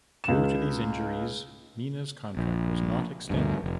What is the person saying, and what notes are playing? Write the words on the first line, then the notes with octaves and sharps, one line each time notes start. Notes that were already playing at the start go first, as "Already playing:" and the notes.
Due to these injuries Mina's contract was not extended.
C#2 E7
A#1
D2 G2
F1